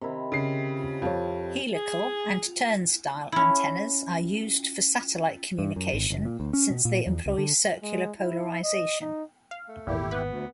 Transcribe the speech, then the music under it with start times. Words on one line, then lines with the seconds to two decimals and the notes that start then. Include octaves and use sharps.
Helical and turnstile antennas are used for satellite communication since they employ circular polarization.
0.01 C3 D#3 E4
0.32 C#3 C7
1.02 F2 F4 C#5
1.74 G#4
3.32 C#4 E4
5.59 G2
5.76 F#2
5.93 G#1
6.10 F#1
6.25 A#2
6.40 D2
6.53 C#4
6.70 B2
6.85 A#2
7.07 E2
7.26 C#2
7.38 D3
7.83 G#3
8.19 E4
8.63 D#5
9.01 D#4
9.51 F5
9.68 A3
9.87 G#1 E2 A#2 E4 G4
10.11 B3 B4
10.29 D2